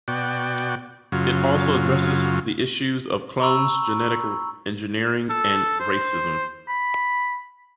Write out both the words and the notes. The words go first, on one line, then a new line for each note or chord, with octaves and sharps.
It also addresses the issues of clones, genetic engineering and racism.
B2 F#4 D5 G5
F#2 C#3 F#3 F4
A#5 B5 C#6 E6
A4
C5
B5